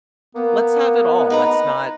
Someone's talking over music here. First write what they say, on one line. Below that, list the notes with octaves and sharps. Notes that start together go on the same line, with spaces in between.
Let's have it all. Let's not
A#3 B3
D#4 B4 A#5